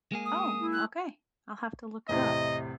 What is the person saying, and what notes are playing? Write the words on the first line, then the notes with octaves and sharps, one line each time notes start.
Oh, okay, I'll have to look it up.
G#3 A#3 G#4
D#6
E4
F#6
E2 A2 C3 D#5